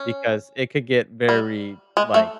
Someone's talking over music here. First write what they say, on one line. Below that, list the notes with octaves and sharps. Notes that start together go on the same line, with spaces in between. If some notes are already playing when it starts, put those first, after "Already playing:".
because it could get very, like
Already playing: C#4
G3
G#3
A3